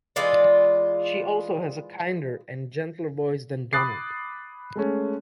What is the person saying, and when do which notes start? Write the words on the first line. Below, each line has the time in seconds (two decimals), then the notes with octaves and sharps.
She also has a kinder and gentler voice than Donald.
0.16 E3 G#3 F4 D5
3.73 B5 D6 D#6 F#6 A6 C7
4.76 G#3 A3 C#4